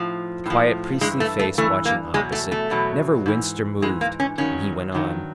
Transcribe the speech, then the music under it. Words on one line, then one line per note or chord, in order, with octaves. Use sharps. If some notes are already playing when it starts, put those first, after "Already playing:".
The quiet, priestly face watching opposite never winced or moved; and he went on.
Already playing: A2 F3
A2 F3
G2 E3 G#3
A3
A3
G2 E3 A3
A#3
E2 B2 F#3 G#3
A3
A3
E2 B2 F#3
G#2 E3
G#2 E3 G#3
A#3
C#4
G2 D#3 F#3 C#4
G2 D#3 F#3